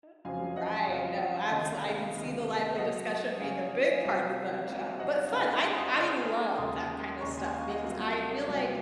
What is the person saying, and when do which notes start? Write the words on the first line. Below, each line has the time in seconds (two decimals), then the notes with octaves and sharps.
Eh, right. No, absol I can see the lively discussion being a big part of that job, but fun. l l I love that kind of stuff because I feel like
0.25 F2 C#3 F#3 C4 F4 F5 G#5
0.56 D#5 F#5
0.88 F2 C#3 F#3 C4 F4 F5
1.51 C#2 C3 D#3 D#5
1.67 F5
1.83 F5
2.15 C#2 C3 D#3
2.77 F#2 C#3 F#3 C#4 D#5 F#5
3.41 F#2 C#3 F#3 C#4 F5 G#5
4.04 C2 C3 F#3 C4 F5
4.68 C2 C3 F#3 C4 F5
4.99 D#5 F#5
5.31 C#3 G#3 D#4 F5 G#5
5.47 D#5 F#5
5.63 G#5 C6
5.78 C6 D#6
5.94 C#3 G#3 D#4 C#6 F6
6.57 D#2 C#3 G#3 C6 D#6
7.21 D#2 C#3 G#3 A#5 C#6
7.38 G#5 C6
7.53 F5 G#5
7.68 D#5 F#5
7.84 C2 C3 F#3 A#3 F4
8.48 C2 C3 F#3 A#3 F4